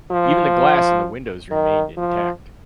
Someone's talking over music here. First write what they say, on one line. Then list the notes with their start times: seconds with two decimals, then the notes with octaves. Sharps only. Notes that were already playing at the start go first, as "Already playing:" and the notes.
Even the glass in the windows remained intact.
0.11 F3
1.51 D#3
1.97 F3